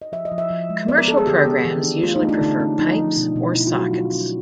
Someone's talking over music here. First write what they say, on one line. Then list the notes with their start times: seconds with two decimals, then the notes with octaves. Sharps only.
Commercial programs usually prefer pipes or sockets.
0.02 D#5
0.12 F3 E5
0.25 D#5
0.32 F3
0.38 E5
0.51 F3
0.70 G#3
0.88 B3 D5
0.98 A#4
1.08 B3 A4
1.17 G#4
1.27 D3 G4
1.46 B3
1.65 E3
1.83 D4
2.03 A3 F4
2.16 D#4
2.22 A3
2.29 D4
2.41 D3 D#4
2.60 C#4
2.79 F3 D#4
2.98 F3
3.17 B2
3.36 B2
3.55 B2 E4
3.67 F4
3.74 F#3 F#4
3.93 F#3 F4
4.12 C#4